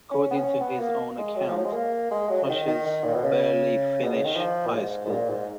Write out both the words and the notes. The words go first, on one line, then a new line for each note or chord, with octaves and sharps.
According to his own account, Tosches "barely finished high school".
C#4
B3
C#4
B3
A#3
G#3
F#3
F3
F#3
G#3
A#3
G#3
F#3
C#3
D#3
D#3
D#3
A#2
B2
C#3
B2
C#3
D#3
F3
A#2
G#2
G#2
A#2
G#2